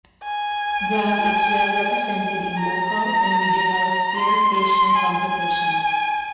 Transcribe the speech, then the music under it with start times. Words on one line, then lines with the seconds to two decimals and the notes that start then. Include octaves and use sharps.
Guam is well represented in local and regional spearfishing competitions.
0.24 G#5
2.59 A#5
4.17 C6
4.56 C6
4.96 G#5